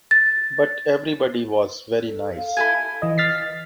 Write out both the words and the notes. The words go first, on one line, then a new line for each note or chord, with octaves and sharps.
But everybody was very nice.
A6
A4
F5
E4 A4 G#5
E3 D#5
F6 A6 B6 C7
A6